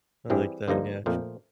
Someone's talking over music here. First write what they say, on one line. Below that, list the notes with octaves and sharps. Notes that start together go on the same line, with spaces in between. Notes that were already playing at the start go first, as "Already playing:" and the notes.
I like that, yeah.
G2 E3 G3 C4 E4 G#4
G2 D3 F3 A#3 D#4
F2 A#2 F3 A3